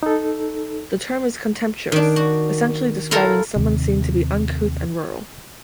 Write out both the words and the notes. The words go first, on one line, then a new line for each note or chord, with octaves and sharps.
The term is contemptuous, essentially describing someone seen to be uncouth and rural.
D#4 A4
D#3 D4
F#4
E4 F4 A4 A#4
D#2 C3